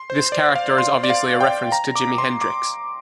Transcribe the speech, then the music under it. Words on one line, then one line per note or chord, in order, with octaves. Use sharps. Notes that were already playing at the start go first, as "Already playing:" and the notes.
This character is obviously a reference to Jimi Hendrix.
Already playing: C6
C5
D5
F5
C6
D5
F5
G5
A#5
D6
C6
D6